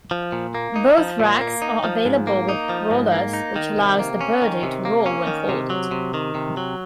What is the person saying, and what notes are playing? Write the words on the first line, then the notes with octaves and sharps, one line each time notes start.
Both racks are available with rollers which allows the Birdy to roll when folded.
F3
A#2
A#3
D#4
F3
A#2
A#3
D#4
F3
G#2
A#3
D#4
F3
G#2
A#3
D#4
D#3
C3
A#3
C#4
D#3
C3
A#3
C#4
D#3
C3
F#3
C3
D#3
C3
F#3